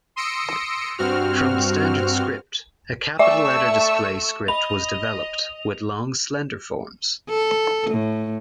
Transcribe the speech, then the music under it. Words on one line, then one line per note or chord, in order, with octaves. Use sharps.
From the standard script, a capital-letter display script was developed, with long slender forms.
C6 D#6 E6 A#6 C#7 D7
G2 C4 F#4 F6
A3 D5 E5 C#6 E6
D#5 B5 F7
A4
A2